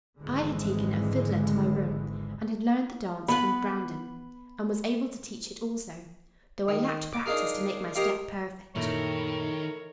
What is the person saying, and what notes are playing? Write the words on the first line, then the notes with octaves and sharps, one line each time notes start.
I had taken a fiddler to my room and had learned the dance from Brandon; and was able to teach it also, though I lacked practice to make my step perfect.
G#1 F2 D3 E3 G#3
B3 B4 B5
D#3
D6
D4 D#4 F4 G#4 A#4
F4 G4 A#4 C5 C#5 D#5
F#2 A#2 D#3 F#3 A3 E4 A#4 C#5